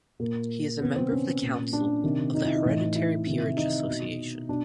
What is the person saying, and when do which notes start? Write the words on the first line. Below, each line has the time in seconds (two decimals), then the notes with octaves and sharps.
He is a member of the Council of the Hereditary Peerage Association.
0.19 A#2 A#3
0.81 C3 D#3 B3
0.96 C4
1.11 C#4
1.42 A#2
1.73 D4
2.04 C3 D#3
2.35 D#4
2.45 E4
2.55 D#4
2.65 A2 E3
2.96 E4
3.27 C3 D#3
3.57 D#4
3.88 B2
4.49 B2 D4